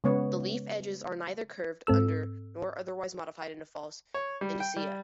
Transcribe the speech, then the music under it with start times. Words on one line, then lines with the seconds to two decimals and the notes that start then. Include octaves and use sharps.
The leaf edges are neither curved under nor otherwise modified into false indusia.
0.04 C#3 G#3 B3 C#5
1.87 G#2 C4 A4 E6
4.14 C#5
4.41 G3
4.60 G5
4.76 G3